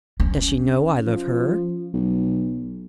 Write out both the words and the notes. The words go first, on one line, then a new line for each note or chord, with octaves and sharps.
Does she know I love her?
C#4
F3
B1